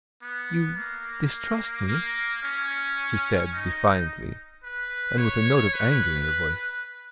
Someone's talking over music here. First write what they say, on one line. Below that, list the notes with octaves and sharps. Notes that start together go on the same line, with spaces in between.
"You distrust me?" she said defiantly, and with a note of anger in her voice.
B3
A#3
A#3
C#4
D#4
B4
C#5
B4